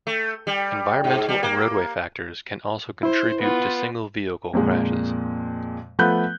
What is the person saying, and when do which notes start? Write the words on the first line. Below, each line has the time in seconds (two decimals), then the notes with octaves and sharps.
Environmental and roadway factors can also contribute to single-vehicle crashes.
0.07 A3
0.47 G3
1.04 G#2
1.29 G3
1.43 A#3
3.03 E4 C5
3.39 B3 F4
4.53 F2 A#2 G#3
5.99 F3 A3 B3 B5 F#6 G6